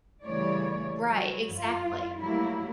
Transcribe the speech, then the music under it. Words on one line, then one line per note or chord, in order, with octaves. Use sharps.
Right, exactly.
C#3 E3 G3 A3 C#5 D5
F#3 G3
F#2 F4
F#3 G3 A3 A#3 E4